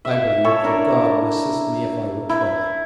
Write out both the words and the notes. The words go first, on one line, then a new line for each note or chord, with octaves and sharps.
I believed that God would assist me if I would try.
E5 F5
E4 A4 C#5
D4 A#4
E4